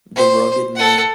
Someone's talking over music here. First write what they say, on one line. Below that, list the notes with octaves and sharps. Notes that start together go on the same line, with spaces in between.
The Rugged Man.
C5
A4 F#5